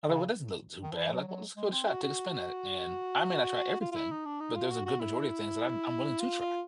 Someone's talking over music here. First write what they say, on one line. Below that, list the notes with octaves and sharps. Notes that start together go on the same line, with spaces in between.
I thought, well it doesn't look too bad. Like, well, let's give it a shot, take a spin at it, and I may not try everything, but there's a good majority of things that I'm I'm willing to try.
C#3
D#3
F3
E3
F#3
F#3
G#3
C4
F#4
F#4
F4
F4
E4
D#4
D4
D#4
F4
F#4
F#4
E4
F4
F4